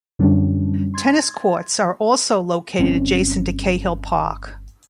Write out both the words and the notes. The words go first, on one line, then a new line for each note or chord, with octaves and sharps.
Tennis courts are also located adjacent to Cahill Park.
F#2 D3 F3 G3 C#4 D4
C6 G#6 A6
G1 C4 C#4